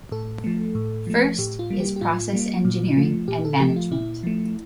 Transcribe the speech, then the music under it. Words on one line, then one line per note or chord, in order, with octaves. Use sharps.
First is process engineering and management.
A2 A4
F3 A3
A2
F3 A3
A2 G4
F4
G3 A#3
G4
G4
A2 F4
G3 A#3
A#2
F3 A3
A#2 G4
A4
F3 A3 G4
F4
A#2 E4
F3 A3